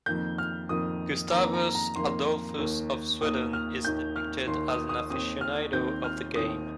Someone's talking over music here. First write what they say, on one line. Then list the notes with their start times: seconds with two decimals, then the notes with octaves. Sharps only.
Gustavus Adolphus of Sweden is depicted as an aficionado of the game.
0.06 F2 D#3 A#3 G6
0.38 F6
0.69 F2 D#3 A#3 D#6
1.32 F2 D#3 A#3 A#5
1.53 A#5
1.75 A#5
1.96 F2 D#3 A#3 C6
2.58 D#2 D#3 A#3
3.21 D#2 D#3 A#3 D#6
3.53 F6
3.85 D#2 D#3 A#3 G6
4.16 F6
4.47 D#2 D#3 A#3 C6
4.69 D#6
4.89 D#6
5.10 D#2 D#3 C4 D#6
5.41 F6
5.73 D#2 D#3 C4 G6
6.04 F6
6.36 D#2 D#3 C4 D#6